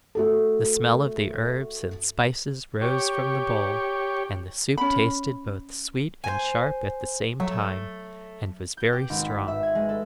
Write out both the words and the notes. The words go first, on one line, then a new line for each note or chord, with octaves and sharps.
The smell of the herbs and spices rose from the bowl, and the soup tasted both sweet and sharp at the same time, and was very strong.
A3 F#4 A4
G4 C#5
C#4 B5
C5 G#5
F#3 A3
G6
G4
G#1
B6
E5
G#6
G#3
A4